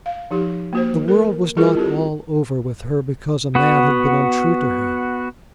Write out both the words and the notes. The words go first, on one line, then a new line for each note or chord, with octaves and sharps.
The world was not all over with her because a man had been untrue to her.
F5
F3 D#4 G4
A#3 F#4 C5
A4 A#4
G3 E4 F4 G#4 A#4 D#5
C4 G4 A4
B3 F#4